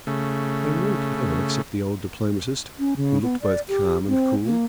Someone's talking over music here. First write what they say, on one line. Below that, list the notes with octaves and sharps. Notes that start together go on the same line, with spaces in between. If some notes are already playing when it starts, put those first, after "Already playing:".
They were all pale except the old diplomatist, who looked both calm and cool.
C#3 A3
C#4
C#3
B3
D5
G4
C4
A#3